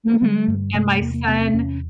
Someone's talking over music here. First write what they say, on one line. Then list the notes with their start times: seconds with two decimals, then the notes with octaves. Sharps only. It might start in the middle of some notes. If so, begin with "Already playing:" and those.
Mhm, and my son
0.22 D3 G3
0.48 G2
0.74 C3 A3
1.01 E2 A#3
1.14 A#3
1.27 C3 B3
1.41 C4
1.53 E2 C#4